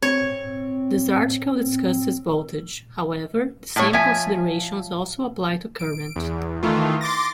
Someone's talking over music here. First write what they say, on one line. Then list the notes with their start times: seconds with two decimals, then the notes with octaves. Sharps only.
This article discusses voltage, however, the same considerations also apply to current.
0.02 C4 C#5
3.76 A2 A#3 C#5
3.93 F3 C#5 E5 G#5
5.79 D7
6.16 E2
6.63 D#3 E3 A3 F4
7.01 C6 D6 A6 A#6